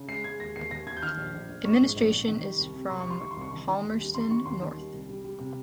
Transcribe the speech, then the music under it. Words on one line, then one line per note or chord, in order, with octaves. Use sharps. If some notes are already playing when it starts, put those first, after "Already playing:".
Administration is from Palmerston North.
Already playing: C#3
G#3 C7
G#3 G#6
D#2 A#6
D#2 C7
D#2 A#6
D#2 G#6
G6
D#3 F6
A#1
A#1
A#1
A#1 C#6
G#2
A#1
A#1
D#3
G3
C2
C3
C2 C6
C#6
G3 C6
D#3 C#6
C6
C2 C#6
D#3 C6
D#3
D#2
G3
D#3 C6
D#3 C#6
D#2 C6
D#3
G3
C2
G3
G3
C3